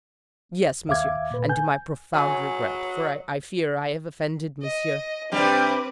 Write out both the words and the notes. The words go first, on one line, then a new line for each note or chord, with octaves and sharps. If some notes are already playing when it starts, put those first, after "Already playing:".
"Yes, monsieur, and to my profound regret; for I fear I have offended monsieur."
D#2 E5 F5 D6 G#6
A#2 B4
G#5 G6
F#2 C#3 F#3 G#5
D#5
C3 G3 C4 D4 B4